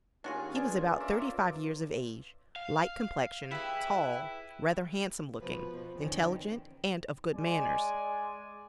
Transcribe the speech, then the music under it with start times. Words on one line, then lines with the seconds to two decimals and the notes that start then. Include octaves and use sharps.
He was about thirty-five years of age, light complexion--tall--rather handsome-looking, intelligent, and of good manners.
0.24 D#2 C#4 D4 F4 F#4 G#4
0.56 D4 G#4 B4
1.00 F4 A#4 D5 E5
2.56 F5
3.51 E4 G4 G#4 B4 E5
5.39 B2 F3 B4
5.96 E2 D3 D#3 C4 C#4
7.34 G#3 D5 G#5